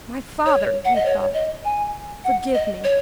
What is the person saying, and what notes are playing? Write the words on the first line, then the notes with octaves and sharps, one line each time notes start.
"My father," he thought, "forgive me!"
C#5
F#5
D#5
C#5
D#5
G#5
F#5
D#5
C#5